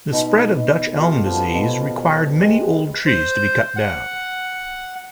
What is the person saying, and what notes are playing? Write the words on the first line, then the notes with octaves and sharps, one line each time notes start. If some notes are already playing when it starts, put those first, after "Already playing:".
The spread of Dutch elm disease required many old trees to be cut down.
B2 D#4 B5 C6
F4 G4 A4 D5
F3 B3
B2
G#3 G4 B4
C5
F#5